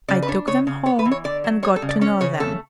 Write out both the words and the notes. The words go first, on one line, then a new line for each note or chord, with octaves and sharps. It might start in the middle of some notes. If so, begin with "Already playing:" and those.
I took them home and got to know them.
C#3 D5
B4
D4 C#5
C#3 C#5
C#3
B3 C#5
B4
E3
C#5
D3 D5
F#3
G3 C#5
A4
C#3
D5
C#4 C#5
C#3 C#5
A3 A4